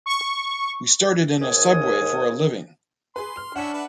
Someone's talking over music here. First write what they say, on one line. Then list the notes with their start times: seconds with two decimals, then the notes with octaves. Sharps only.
We started in a subway for a living.
0.06 C#6
1.40 D#2 G#2 C#5 G#5 D#6
3.16 G#4 B4 C6
3.37 F6
3.56 C#4 D4 E4 E5 F#5 C#7
3.73 B4 D5 E5